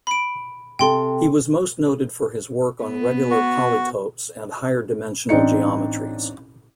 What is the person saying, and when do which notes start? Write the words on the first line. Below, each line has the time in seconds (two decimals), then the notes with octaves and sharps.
He was most noted for his work on regular polytopes and higher-dimensional geometries.
0.07 B5 D7
0.79 C3 A4 G5 C6
2.84 B3
3.31 F#4
5.29 A1 C4 D4 D#4 C#7